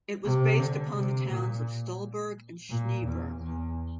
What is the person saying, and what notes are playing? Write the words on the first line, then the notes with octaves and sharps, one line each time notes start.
It was based upon the towns of Stollberg and Schneeberg.
C3
D3
C3
A#2
A#2
E2
E2